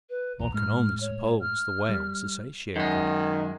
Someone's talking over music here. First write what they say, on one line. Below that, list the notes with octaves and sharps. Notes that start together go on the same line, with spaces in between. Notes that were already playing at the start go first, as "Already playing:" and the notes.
One can only suppose the whales are satiated.
B4
B1 E2 A#5
A2 G#3 F6
C#5
F6
G3
F#2 D#3 G#3